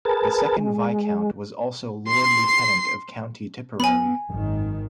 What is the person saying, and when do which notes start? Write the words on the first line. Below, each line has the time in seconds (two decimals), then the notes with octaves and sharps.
The second Viscount was also Lord-Lieutenant of County Tipperary.
0.05 G#4 A#4 B4 A5
0.58 G#3
2.08 C6 C7
3.80 B3 G#5 B5
4.30 G#1 F#2 D#3